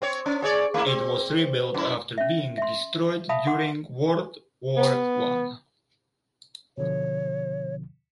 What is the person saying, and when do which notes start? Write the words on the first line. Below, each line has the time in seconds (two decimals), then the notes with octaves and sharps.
It was rebuilt after being destroyed during World War One.
0.02 C4 C#5
0.26 C#4
0.42 G#4 C#5 D5
0.74 A3 A#3 E4
0.86 C4
1.74 F#2 E4
2.18 C#4 E5
2.58 E5 C6
3.29 E5 F5 A5 B5 D#6
3.47 G#4 F#5 C6 D6
4.77 B3
6.78 B2 D3 F3 C#5